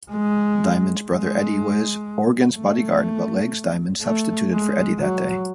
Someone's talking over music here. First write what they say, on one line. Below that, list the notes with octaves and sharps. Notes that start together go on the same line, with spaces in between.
Diamond's brother Eddie was Orgen's bodyguard, but Legs Diamond substituted for Eddie that day.
G#3
G#3
A3
A3
G#3
F#3